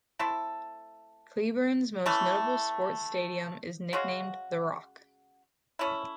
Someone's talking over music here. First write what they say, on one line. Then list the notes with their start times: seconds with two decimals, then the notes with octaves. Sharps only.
Cleburne's most notable sports stadium is nicknamed "The Rock".
0.19 A3 C4 E4 A4
2.06 E3 A3 C#4
3.93 C#3 G#3 C#4 F#4
5.79 A3 C#4 E4